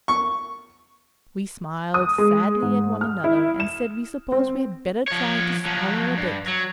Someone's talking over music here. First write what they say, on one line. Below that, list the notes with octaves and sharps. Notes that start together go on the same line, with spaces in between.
We smiled sadly at one another, and said we supposed we had better try to swallow a bit.
C#6
D#6
G#3
G#2
F6
E4
E7
C4
F3 C#5
F3 F#3
G2
F#3